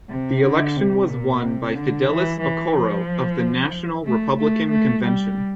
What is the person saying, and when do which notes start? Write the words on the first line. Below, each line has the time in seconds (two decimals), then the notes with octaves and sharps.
The election was won by Fidelis Okoro of the National Republican Convention.
0.10 C3
0.43 D3
0.76 C3
1.09 A#2
1.41 C3
1.75 D3
2.07 E3
2.41 E3
2.73 F3
4.05 A3
4.38 A3
4.71 A3
5.04 G3